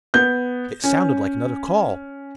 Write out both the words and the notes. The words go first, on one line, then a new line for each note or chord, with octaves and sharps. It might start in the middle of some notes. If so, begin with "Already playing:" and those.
"It sounded like another call."
B3 G6
C#4